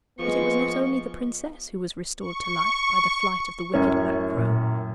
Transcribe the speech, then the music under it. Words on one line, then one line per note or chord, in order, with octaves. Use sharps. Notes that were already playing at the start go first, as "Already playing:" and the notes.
But it was not only the princess who was restored to life by the flight of the wicked black crow.
F3 G#3 B3 C#6
C#6
F#2 A2 C#4
A#2